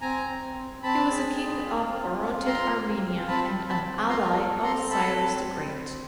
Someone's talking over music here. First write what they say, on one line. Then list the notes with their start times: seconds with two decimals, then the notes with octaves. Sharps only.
He was a king of Orontid Armenia and an ally of Cyrus the Great.
0.02 C4 G#5 A#5
0.29 C4
0.56 C4
0.83 C4 A5 B5
1.11 G#4
1.37 C4
1.65 F4
1.92 C4
2.19 F4
2.46 C4 A#5 C6
2.73 F4
3.01 C4
3.28 C4 A5 B5
3.55 C4
3.68 A5 B5
3.82 C4
4.09 F4 A#5 C6
4.36 A4
4.63 C4 A#5 C6
4.91 A4 A5 B5
5.18 C4
5.45 C4
5.72 C4